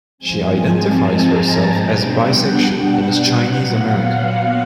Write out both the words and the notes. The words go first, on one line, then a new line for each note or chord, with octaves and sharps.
She identifies herself as bisexual and is Chinese American.
G#2 F3 G#3 C4 G#5
A5
A#5
G#5
B2 G3 B3 D4 G5
F#5
F#5
A#2 F#3 B3
F5
F#5